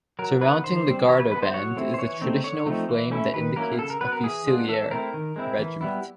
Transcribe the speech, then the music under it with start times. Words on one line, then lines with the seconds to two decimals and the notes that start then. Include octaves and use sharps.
Surmounting the garter band is the traditional flame that indicates a fusilier regiment.
0.19 F#3 A#4
0.41 B3 D#4 B4
0.64 D#3 C5
0.86 G3 C4
1.09 E3 C#5
1.20 B4
1.31 G#3 B4
1.35 B3
1.42 C5
1.53 F#3 C#5
1.76 A3 C4 E4
1.94 C5
1.99 E3 C#5
2.21 A3 C4 D#4
2.44 D3 C#5
2.66 F3 A3 C4 D#4
2.89 E3
3.11 A3 C#4 E4
3.33 D#3 B4
3.56 F#3 A#3 C#4 E4 A#4
3.78 C#3 A4
3.90 A#4
4.01 F#3 B3 B4
4.12 A#4
4.23 E3 G#4
4.46 G#3 B3 D4 F4
4.69 E3 A4
4.91 A3 C4 E4 A#4
5.14 D#3
5.36 G#3 C4 E4
5.59 E3
5.81 G3 B3 E4